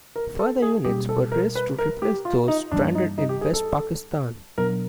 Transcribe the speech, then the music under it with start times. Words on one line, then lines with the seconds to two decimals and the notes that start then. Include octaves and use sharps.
Further units were raised to replace those stranded in West Pakistan.
0.16 A#4
0.39 A4
0.62 G#4
0.85 B2 G3 A#3 C#4 G4
1.09 A4
1.32 A#4
1.55 B4
1.79 A#4
2.02 G4
2.25 F4
2.48 D#4
2.71 G2 E3 G3 A#3 D4
2.95 D#4
3.18 D#4
3.29 G4
3.41 G#4
3.54 A4
4.58 B2 F#3 B3 D4 A#4